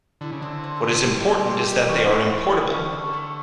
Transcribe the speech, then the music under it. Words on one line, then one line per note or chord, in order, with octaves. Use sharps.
What is important is that they are importable.
D3 E4
C#3
D3 C4
C4
G4
G3 E4
C4
C4
G4
E3 C#4
A4
A3
F#4
C#3
D3 C#4
A4
A3